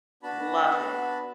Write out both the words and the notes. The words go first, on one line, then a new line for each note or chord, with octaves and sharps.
Love it.
B3 D4 F#4 A5 B5